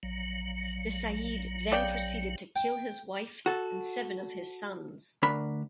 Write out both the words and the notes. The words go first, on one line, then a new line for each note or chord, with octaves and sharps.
The Sayyid then proceeded to kill his wife and seven of his sons.
A#1 F#3
C#3 D5 G5
G5
F#4 A4
D2 D4 A#4 B5